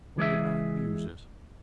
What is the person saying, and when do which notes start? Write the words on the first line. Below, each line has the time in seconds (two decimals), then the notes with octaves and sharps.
One of the nine Muses.
0.17 E3 G#3 G#4 E5